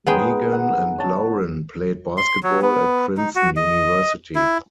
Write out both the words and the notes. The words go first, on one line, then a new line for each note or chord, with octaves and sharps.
Meagan and Lauren played basketball at Princeton University.
G#3 B3 D#4 G#4 G5
F#5
C#5 A5
C6
F#3
B3
D#4
F#4
D#5
E4